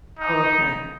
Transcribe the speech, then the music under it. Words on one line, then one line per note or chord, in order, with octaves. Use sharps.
Oh okay.
D#4